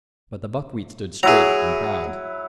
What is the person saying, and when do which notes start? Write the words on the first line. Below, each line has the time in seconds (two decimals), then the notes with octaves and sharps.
But the buckwheat stood straight and proud.
1.23 F#3 E4 G#4 A#5